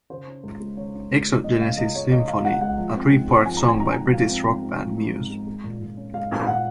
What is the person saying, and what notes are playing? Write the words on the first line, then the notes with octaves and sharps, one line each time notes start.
"Exogenesis Symphony" - a three part song by British rock band Muse.
C#3 C5
C#4
C#2
G#3
C#3 C#5
C#4
C#2
G#3
C#3 D#5
C#4 F5
C#2 D#5
G#3 C#5
C#3 D#5
C#4 F5
C#2 F#5
G#3 F#5
F3
C4
G#2
G#3
F3 G#5
A#5
C4
G#5
G#2 A#5
G#3 G#5
F3 F5
C4
G#2
G#3
F3
C4
G#2
G#3
G#3
A#2
A#2
C#4
G#3 F5
A#2
F5
A#2 F#5